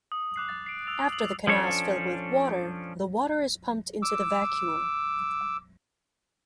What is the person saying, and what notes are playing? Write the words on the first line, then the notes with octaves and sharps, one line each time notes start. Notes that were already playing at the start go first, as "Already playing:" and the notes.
After the canals fill with water, the water is pumped into the vacuole.
D#6
D6 F#6 C7
A6
C7 D7
E6 A6 F7
F#6 F#7
F3 C#4 D4 A4 C#5
D6 E6